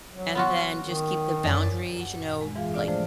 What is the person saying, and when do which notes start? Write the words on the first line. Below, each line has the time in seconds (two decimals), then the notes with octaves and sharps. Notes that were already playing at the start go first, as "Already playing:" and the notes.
And then, just keep the boundaries, you know, like,
0.11 F#3
0.35 B3 F4 F#4
0.81 D#3
1.44 F#2 D5
1.96 F#2 F#5
2.16 A#2
2.41 G#3
2.55 G#2 E3 F4 G#4 F5
2.72 A2 C3 D4 D5 F6
2.88 F3 A3 C5 D5